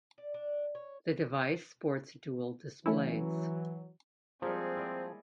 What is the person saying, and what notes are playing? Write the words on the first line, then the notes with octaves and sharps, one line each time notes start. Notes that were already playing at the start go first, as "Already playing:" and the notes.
The device sports dual displays.
D5
D4
C#5
E3 F#3 A3 C#4 E4
F3 G3 G#3 A#3 C4 G#4
E4 D5 D#5